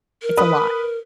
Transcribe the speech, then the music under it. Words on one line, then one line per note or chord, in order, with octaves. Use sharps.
it's a lot.
A#4
B4 D#6